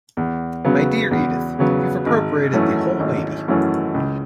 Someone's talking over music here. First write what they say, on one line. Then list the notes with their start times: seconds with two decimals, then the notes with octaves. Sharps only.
My dear Edith, you've appropriated the whole baby.
0.17 E2
0.65 C#3 F#3 B3
1.11 E2
1.59 C#3 F#3 B3
2.06 G#1
2.53 F#2 E3 A3 C#4
3.00 G#1
3.48 F#2 E3 A3 C#4
3.94 C#2